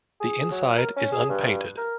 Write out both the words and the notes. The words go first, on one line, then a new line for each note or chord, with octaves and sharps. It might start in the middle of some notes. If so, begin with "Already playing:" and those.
The inside is unpainted.
G#4
F#3
A#4
C#4
G#4
G2
A#4